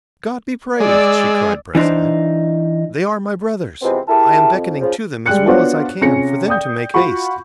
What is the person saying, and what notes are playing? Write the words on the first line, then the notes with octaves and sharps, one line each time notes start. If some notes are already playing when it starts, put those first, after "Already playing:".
"God be praised," she cried presently, "they are my brothers; I am beckoning to them, as well as I can, for them to make haste."
G#3 D5 E6
E3 D4 D#4 C5
C3 E3 F3 G#3 B3 C4
E4 G4 G#4 A#4 E5 A5
F2
C#3 F3
G3 G#3 G5 F#6 C#7
B3 D4 F4 F#4 C5 C#5
C3 C#4 F4 G#4 A#6 C#7
D5 G5 D#6 G6
F4 F#4 F#5 B5 C#6